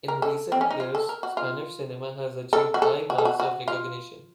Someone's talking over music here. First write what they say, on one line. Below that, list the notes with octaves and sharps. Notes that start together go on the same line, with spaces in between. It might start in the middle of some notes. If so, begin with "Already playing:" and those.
In recent years, Spanish cinema has achieved high marks of recognition.
A#4
A4
C4
C#4
D#4
F4
A4
A#4
F#4
F4
A4
F#4
A4
F#4
A4
F#4
F#4
F4